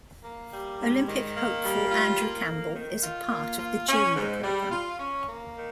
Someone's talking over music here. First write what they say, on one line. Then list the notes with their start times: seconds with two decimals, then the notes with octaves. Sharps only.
Olympic hopeful Andrew Campbell is a part of the Junior program.
0.24 A#3
0.52 G3
0.79 G#2
1.08 D#3
1.36 A#3
1.64 G3
1.91 F4
2.20 A#3
2.47 F2
2.75 D#3
3.03 F4
3.31 A#3
3.59 F4
3.88 C#4
4.15 G#2
4.43 G3
4.72 F4
5.00 C#4
5.28 A#3
5.56 D#3